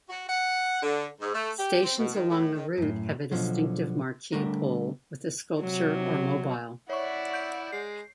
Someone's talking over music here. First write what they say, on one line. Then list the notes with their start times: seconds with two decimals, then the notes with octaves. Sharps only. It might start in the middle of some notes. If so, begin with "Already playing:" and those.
Stations along the route have a distinctive marquee pole with a sculpture or mobile.
0.09 F#4
0.29 F#5
0.82 D3
1.20 G#2
1.33 A3
1.58 G4
1.82 C4
1.98 B2
2.12 D#3
2.29 A2
2.55 D#3
2.78 F#2 A2
3.31 B2 D3 D#3 F3 F#3
4.32 D3 G3 A3 D4 A#4
5.59 C3 F#3
6.90 E4 C#5 D5 E5 F#5 C#6
7.34 G6 D7
7.72 G#3 C7